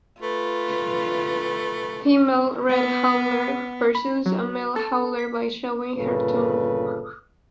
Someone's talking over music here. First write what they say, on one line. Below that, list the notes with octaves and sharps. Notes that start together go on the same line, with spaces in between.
Female red howler pursues a male howler by showing her tongue.
A3 F4 B4
B3
B5
F#3
A4
B6
G1 A#2 C#3 A4 B4